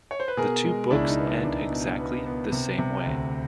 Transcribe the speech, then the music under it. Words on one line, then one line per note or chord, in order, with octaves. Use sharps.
The two books end exactly the same way.
C#5
C5
B4
B2 G#4 A#4
G#3
C#2 D4 E4
D#4
B3
D4
C#2 D4
B2
B3
B3
C3
C3
D2